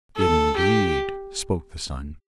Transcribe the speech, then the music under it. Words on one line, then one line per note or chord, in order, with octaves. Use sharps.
'Indeed!' spoke the Sun.
A4
G4